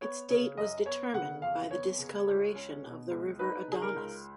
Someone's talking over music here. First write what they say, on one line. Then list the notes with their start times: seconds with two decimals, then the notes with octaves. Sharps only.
Its date was determined by the discoloration of the river Adonis.
0.01 B3 C#5
0.29 C#3 C#5
0.57 F#2 D#5
0.86 B3 C#5
1.14 C#3 F#5
1.42 F2 F5
1.71 B3 C#5
1.98 C#3
2.28 C#2
2.55 C#4
2.84 B2
3.11 C#2
3.39 D#4 B4
3.68 C#3 G#4
3.82 A#4
3.96 C#2